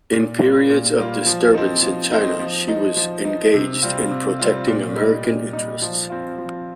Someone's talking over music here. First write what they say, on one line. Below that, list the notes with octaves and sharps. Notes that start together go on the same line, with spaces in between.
In periods of disturbance in China she was engaged in protecting American interests.
A#2
G3 A#3 F4
A#2
G3 A#3 F4
F3
C4 D#4
F3
C4 D#4
F3
D#4
F3
D#4
C3
G3 C4 F4
C3
G3 C4 F4
A#2
G3 D#4
A#2
G3 D#4
F3
C4 F4
F3